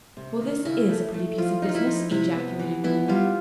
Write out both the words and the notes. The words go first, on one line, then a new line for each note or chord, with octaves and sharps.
"Well, this is a pretty piece of business!" ejaculated Marilla.
C3
D#3
C#3 E4
A3
A3
F3 F4
D#4
F4
E4
F3
C3 E4
B3
E3
B3 E4
G3 F4